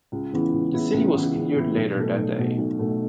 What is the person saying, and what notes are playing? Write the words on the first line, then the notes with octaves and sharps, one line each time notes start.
The city was cleared later that day.
C#2
C#3 E3 B3 E4
C#2
C#3 E3 B3 E4
C#2
C#3 E3 B3 E4
C#2
C#3 E3 B3 E4
B1
B2 A3
B1
B2 A3
B1
B2 A3